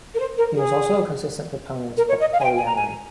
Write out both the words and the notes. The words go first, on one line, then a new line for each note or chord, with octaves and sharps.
He was also a consistent proponent of polyamory.
A#4
C5
A#4
G#4
A#4
C#5
D#5
F5
G#5
G5
G#5
A#5
G#5